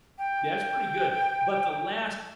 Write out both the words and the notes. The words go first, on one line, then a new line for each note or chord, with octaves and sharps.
Yeah, it's pretty good, but the last
G5